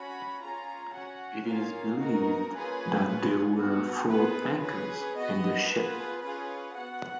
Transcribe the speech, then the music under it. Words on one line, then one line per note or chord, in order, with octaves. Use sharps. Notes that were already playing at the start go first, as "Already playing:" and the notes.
It is believed that there were four anchors in the ship.
Already playing: C#4 F#4 B5
C#4 F4 G#4 A#5
C#4 F#4 F#5
A#3 C#4 F4 G#4 F5
B3 D#4 F#4 A#4
A#3 C#4 F4 G#4 B4
C#4 F4 G#4
B3 F#4
B3 F4 G#4 B4
C#4 G#4 B4
B3 F#4 D#5
B3 F4 G#4 B4
C#4 F4 G#4 B4
B3 F#4 F#5